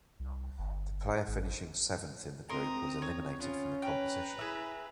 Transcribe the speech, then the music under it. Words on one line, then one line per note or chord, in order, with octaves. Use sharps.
The player finishing seventh in the group was eliminated from the competition.
C2
G1
G#1
C4 A#4 D#5 A#5 C6 D#6
C#5
B3 C#4 F4
B4 C#5 G5 A#5
E4 G#4 E5